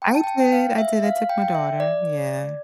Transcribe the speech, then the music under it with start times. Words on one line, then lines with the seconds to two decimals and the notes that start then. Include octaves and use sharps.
I did, I did, I took my daughter. Yeah.
0.02 G5
0.15 A5
0.24 G5
0.27 A5
0.40 G5
0.52 F5
0.78 E5
1.04 F5
1.17 F5
1.29 G5
1.42 G5
1.55 E5
1.80 D5